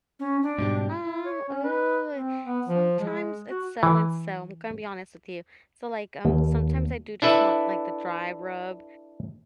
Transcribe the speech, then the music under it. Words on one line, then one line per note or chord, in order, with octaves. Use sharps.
Um, ooh, sometimes it's so and so, I'm gonna be honest with you. So, like, um, sometimes I do just want, like, the dry rub,
C#4
D4
G#2 B2 G3
E4
C#5
C#4
B4
C4
B3
F3
G#3
F#4
E3
D#2
D4 E4 A4 B4 E5